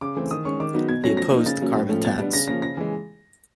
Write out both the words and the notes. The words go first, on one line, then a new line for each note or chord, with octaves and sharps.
He opposed the carbon tax.
C#3 D6
E3 A3 C4
D#3 D#6
G#3 C#4 C#6
D#3 D6
F#3 B3 D#4
B2 G#6
F#3 A3 C#4 A#6
F3 A#6
A#3 D#4
C#3 A6
F#3 A#3 C#4
A2
F3 A3 C#4
B2 A6
G3 B3 D4
C#3 A#6
F3 A#3 C#4 A#6
C#3 A#6
E3 G#3